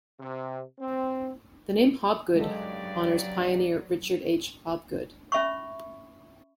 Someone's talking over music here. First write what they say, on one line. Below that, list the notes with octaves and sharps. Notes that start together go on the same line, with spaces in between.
The name Hobgood honors pioneer Richard H. Hobgood.
C3
C4
G2 C#3 F#3 G#3 G4 A4 D5
C#4 E5 B5 C#6